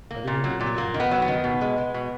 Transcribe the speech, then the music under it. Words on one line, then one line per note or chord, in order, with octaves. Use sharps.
Other indications of long duration.
A#3
A#2
F#3
A#2
A#3
D#3
B3
F#3
B3
D#3
B2
G#3
G#3
B2